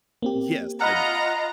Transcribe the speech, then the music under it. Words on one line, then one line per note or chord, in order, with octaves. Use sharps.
Yes, I do.
A#3 C4 G4
F4 D#5 F#5 A#5 B5 F6